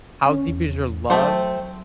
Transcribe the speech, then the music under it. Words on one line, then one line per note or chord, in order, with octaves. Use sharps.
"How Deep Is Your Love?"
C#4
E2
F#3 A3 C4 C5